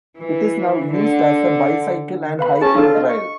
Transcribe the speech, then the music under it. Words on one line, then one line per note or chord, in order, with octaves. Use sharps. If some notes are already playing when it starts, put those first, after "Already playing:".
It is now used as a bicycle and hiking trail.
E3
D3
B4 F5 B5
C#4 G#4 A5
D4 F4 A4
D#5
C#6